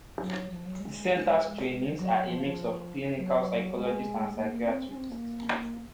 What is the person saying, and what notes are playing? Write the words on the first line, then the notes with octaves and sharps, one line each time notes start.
The center's trainees are a mix of clinical psychologists and psychiatrists.
F#3
F3
F#3
G#3
F#3
F3
F3
F#3
G#3
A#3
A#3
C4
C#4
C4
A#3